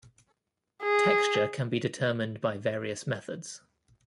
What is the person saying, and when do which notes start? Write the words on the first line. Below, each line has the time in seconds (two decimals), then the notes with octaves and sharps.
Texture can be determined by various methods.
0.83 G#4